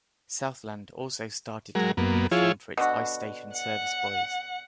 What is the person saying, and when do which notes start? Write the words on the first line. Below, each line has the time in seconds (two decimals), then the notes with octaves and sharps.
Southland also started to have a uniform for its ice station service boys.
1.75 F#3 G#3 A#4
1.97 F#2 A#3 B3
2.32 F3 E4 F4 G#4 C#5
2.77 B2 D3 F#4
3.54 F#5